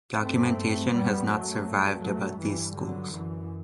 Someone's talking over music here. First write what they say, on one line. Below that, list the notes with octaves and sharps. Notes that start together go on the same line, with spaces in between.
Documentation has not survived about these schools.
G2 A3 C4
F#2 G3 B3
F#3 A3
F#2
F#3 A3
G2 E3 G3
D3 F#3
F#2 E3